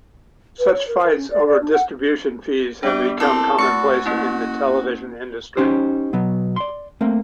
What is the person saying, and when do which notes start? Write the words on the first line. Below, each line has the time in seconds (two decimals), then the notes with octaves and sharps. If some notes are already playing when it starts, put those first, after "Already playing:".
Such fights over distribution fees have become commonplace in the television industry.
0.59 B4
0.73 C#5
0.87 A#4
1.04 A#4
1.16 C#4
1.30 D5
1.46 D5
1.61 D4
1.73 F#5
2.83 G3 B3 D4
3.20 C4 E4 A4 A#4 D6
3.58 A3 F#4 C#6 E6 A6
4.06 A#3 C#4 E4
5.57 C#4 D#4 G4 C5
6.13 B2 F#3 B3
6.56 D5 C6
7.01 A3 A#3 C4